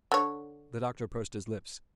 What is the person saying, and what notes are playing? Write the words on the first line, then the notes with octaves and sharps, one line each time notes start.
The doctor pursed his lips.
D3 C#5